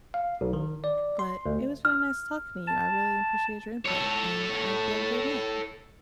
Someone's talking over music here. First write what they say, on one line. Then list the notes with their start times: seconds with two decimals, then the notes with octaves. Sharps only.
But it was really nice talking to you. I really appreciate your input, and I hope you have a great night.
0.14 F5
0.41 B1
0.53 D#3
0.84 D5
1.19 C6
1.46 D2
1.85 F6
2.67 A5
3.85 A4 C#5